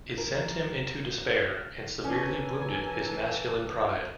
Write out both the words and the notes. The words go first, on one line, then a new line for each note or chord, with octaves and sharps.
It sent him into despair and severely wounded his masculine pride.
A#4
E3 C#4 A4 A#4 G#5